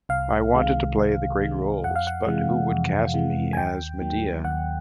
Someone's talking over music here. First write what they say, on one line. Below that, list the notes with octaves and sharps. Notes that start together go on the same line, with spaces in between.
I wanted to play the great roles but who would cast me as Medea?
C2 F5
C3 D#3 G#3
C2
C3 D#3 G#3
F2 F#5
F5
F#5
C3 E3 G#3
F2
C3 E3 G#3
G#5
D#2 G5
D#3 F#3 A#3
D#2 F#5